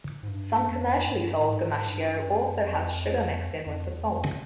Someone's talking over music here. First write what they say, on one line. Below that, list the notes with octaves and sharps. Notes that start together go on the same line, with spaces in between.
Some commercially sold gomashio also has sugar mixed in with the salt.
G#2
G2
F2
G2
A2
G#2
G2
F#2
F2
F2
E2
F2